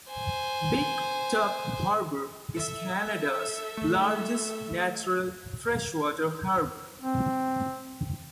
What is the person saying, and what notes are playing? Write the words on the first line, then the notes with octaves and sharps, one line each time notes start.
Big Tub Harbour is Canada's largest natural freshwater harbour.
C5 G#5
A4 E5
A3
C4